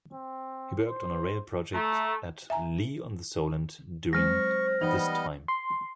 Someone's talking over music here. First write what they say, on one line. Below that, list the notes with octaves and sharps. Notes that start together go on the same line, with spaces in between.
He worked on a rail project at Lee-on-the-Solent during this time.
C4
C5
A3 A#5
E5 G#5 A#5
F#3 G#3 C4 C5 C#6 F6 A#6
E3 G3 B3 D#4 D#5
C6